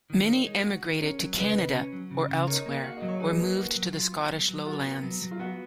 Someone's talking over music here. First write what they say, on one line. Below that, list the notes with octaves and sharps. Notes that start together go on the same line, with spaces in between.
Many emigrated to Canada or elsewhere, or moved to the Scottish Lowlands.
D#3
D#4 A#4 C#5
G#3
F#4
D#3
C#4 A#4 C#5
F#3
C#3 B4 D#5
C#3
C#4
F#3
C#3
C#3
D#4 A#4 C#5
A#3
F#4 F5
D#5
F#3
C#5
D#4 G#4 B4
A#3
F#4
F#3
F4
B3
F#3
F#3
F4 F#4 A#4
B3
F#3
F#3
F4
B3 F#4